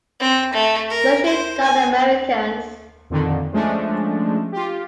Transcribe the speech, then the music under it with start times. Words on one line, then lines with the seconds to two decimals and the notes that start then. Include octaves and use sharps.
Especially not Americans.
0.20 C4
0.53 A3
0.90 A#4
1.25 C5
1.63 G#5
3.10 F2 A#2 D3 D#3
3.52 F3 G#3 A3 C#4 D4
4.52 F4 G4